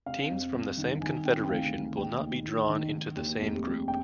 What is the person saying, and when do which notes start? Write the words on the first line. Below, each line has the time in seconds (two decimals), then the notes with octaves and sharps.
Teams from the same confederation will not be drawn into the same group.
0.06 C3 F5
0.30 F2
0.54 G1
0.78 D#3
1.01 D#3 G#5
1.25 C3 G5
1.44 G5
1.49 D2 F5
1.74 D2
1.97 D#2 G5
2.21 D#3
2.45 D#2
2.69 D#3
2.92 D#3
3.16 D#2
3.40 F1
3.64 F1
3.88 G5